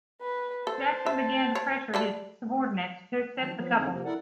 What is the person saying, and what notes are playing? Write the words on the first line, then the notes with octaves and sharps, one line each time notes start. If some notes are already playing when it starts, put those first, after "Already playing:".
Jackson began to pressure his subordinates to accept the couple.
B4
A4 C5 A5
E5
C#5
G3 F#4 A4
D#3 F3 F#3 A5
F3 F#3 B3
E2 D3 C4 D#4 G#4
C3 F3 A#3
D#2 E4 A4 A#4 D5 F#5